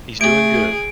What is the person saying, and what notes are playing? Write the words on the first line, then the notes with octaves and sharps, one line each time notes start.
He's doing good.
A3 G#4 D7